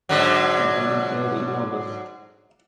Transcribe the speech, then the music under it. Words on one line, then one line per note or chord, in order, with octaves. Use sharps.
He dies there in August.
G#2 D3 F#3